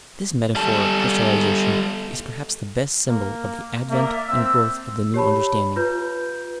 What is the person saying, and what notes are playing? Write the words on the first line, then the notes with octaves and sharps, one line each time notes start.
This metaphor of crystallisation is perhaps the best symbol of the advent and growth of the new understanding.
G3 A4
A#3
A#3 D5 E5
C4 E6
G4 C#5 A5 B5
F4 B4 G6